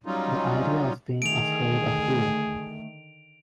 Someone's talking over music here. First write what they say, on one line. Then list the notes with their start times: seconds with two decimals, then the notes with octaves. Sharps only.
The idea of being afraid of you!
0.06 F#3 G3 C#4 D#4 F4
1.22 D3 D#3 A3 G#4 D7 F7